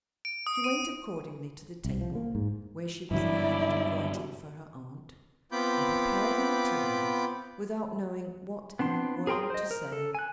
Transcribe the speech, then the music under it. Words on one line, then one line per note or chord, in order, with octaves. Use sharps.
She went accordingly to the table, where she was in the habit of writing for her aunt, and prepared her materials without knowing what in the world to say.
D7
D#6
D#7
C2
F3
A#3
G#2
G2 D3 F#3 E4 D5
B3 C4 F4 B5 D6 G6
B3 C4 D4 C6
G#4 A#4 G5 C6 D#6
C5 D#5
A#4
A4
G#5 F#6